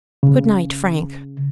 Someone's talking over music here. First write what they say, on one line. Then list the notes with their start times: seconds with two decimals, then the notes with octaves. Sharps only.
"Good night, Frank."
0.23 C#3